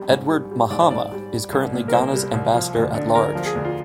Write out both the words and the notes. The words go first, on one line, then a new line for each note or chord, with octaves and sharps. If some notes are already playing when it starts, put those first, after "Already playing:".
Edward Mahama is currently Ghana's Ambassador-at-Large.
Already playing: G3
G#2
G3
G3
G#2 D5
C5
G#2 D5
G3
G3
C2
A#2
A#4
C2 C5
G3
C2
F3
D2
D3
D2 A#4
F3
G#4
D2
F4